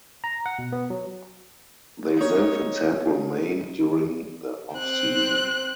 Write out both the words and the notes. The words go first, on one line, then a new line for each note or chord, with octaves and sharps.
They live in central Maine during the offseason.
A#5
F#5
B2
B3
F#3
D#4 C#5
C4 F#6